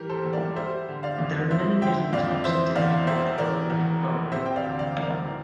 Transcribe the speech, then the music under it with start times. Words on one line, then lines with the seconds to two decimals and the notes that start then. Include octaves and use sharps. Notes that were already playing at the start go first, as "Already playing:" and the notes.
There are many different types of delivery that a bowler can bowl.
Already playing: E3 G3 G4 A#4
0.09 A4 C5
0.25 E2
0.33 A#4 D5
0.56 G3 C5 E5
0.88 D3
1.03 D5 F5
1.19 F2
1.50 F3 C5 E5
1.81 D3 E5 G5
2.13 F2 D5 F5
2.44 E3 C5 E5
2.75 E2 D5 F5
3.07 E1 C5 E5
3.38 E3 A#4 D5
3.70 E2
4.01 F1
4.32 C3 C5 E5
4.46 G5
4.56 D5 F5
4.64 D2
4.79 D5 F5
4.95 E1
5.02 A#4 D5
5.26 E3